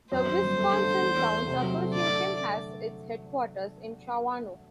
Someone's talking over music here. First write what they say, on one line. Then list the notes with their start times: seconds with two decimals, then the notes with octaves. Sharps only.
The Wisconsin Towns Association has its headquarters in Shawano.
0.11 F#2 C5
0.27 F#2
0.42 G1
0.57 A3
0.72 D3
0.86 D3
1.02 E2
1.18 E2
1.33 A3
1.48 C3
1.62 F#3
1.77 A3
1.92 D3 D5
2.07 A3
2.23 A3